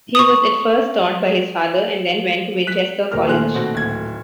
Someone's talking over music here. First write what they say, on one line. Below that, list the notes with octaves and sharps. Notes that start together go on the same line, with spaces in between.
He was at first taught by his father and then went to Winchester College.
C#6 D#6
F#6 B6
D#1 A#4 F6
A#2 D#3 A3 C5 G#5 F#6
B2 C4 F#4
D1 G#6